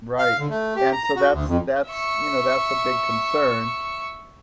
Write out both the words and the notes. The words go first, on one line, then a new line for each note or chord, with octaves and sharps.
Right, and, so, that's that's you know, that's a big concern,
F5
D3
A3
G4
A#5
A#5
F#4
D2
F2
E5 C#6